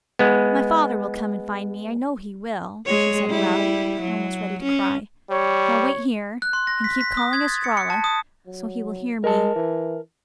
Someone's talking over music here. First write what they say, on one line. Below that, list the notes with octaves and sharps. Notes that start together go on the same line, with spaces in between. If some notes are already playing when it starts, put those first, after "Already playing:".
"My father will come and find me, I know he will," she said aloud, almost ready to cry. "I'll wait here, and keep calling 'Estralla,' so he will hear me."
G#3 B3
G#3 C#5
G3 E4
F#3
C#4
G3 C#5
F#6
C6
A#6
B6
B6
D#6
G#6
A6
C#7
C#7
A5
D#6
F#3
G#3 A#4 A5
E3